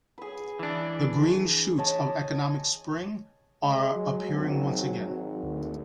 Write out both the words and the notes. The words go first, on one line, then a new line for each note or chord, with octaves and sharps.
The Green shoots of economic spring are appearing once again.
G#4 B4
E3 D4
C#5 D#5 A5
G#5
G#3
F#3
G#1
G#1
D2